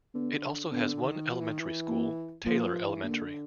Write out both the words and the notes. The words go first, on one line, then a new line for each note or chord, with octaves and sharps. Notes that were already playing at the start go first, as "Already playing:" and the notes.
It also has one elementary school, Taylor Elementary.
D3 B3
D3 B3
D#3
F3
E3
D#3
E3
A#3
F3 A#3
F3
E3
D3 A#3